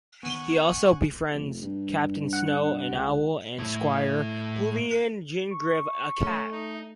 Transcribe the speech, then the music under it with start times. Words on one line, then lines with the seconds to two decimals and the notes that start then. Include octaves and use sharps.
He also befriends Captain Snow, an owl, and Squire Julian Gingivere, a cat.
0.23 D#3 B3 F#5 G#5 C#6
1.33 F1
1.62 G2
2.33 F#5
2.90 C#2
3.59 A2 E4
5.51 C#6
6.20 A3 C#4
6.51 D#4